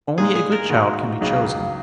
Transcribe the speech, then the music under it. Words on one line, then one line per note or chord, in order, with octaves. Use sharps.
Only a good child can be chosen.
A#2 G#3 D#4 G#4
G#4
A#4
G#2 D#3 A#3 D#4 F#4
C#2 C#3 F#3 A#3 D#4